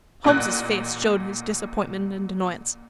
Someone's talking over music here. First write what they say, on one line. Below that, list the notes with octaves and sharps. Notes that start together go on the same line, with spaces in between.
Holmes's face showed his disappointment and annoyance.
A1 A#2 F#6